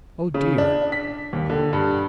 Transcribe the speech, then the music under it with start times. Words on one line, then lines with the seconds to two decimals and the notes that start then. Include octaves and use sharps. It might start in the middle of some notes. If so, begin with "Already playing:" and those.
Oh dear!
0.34 C#3
0.58 D4
0.92 B6
1.33 D#2
1.50 D3
1.73 G2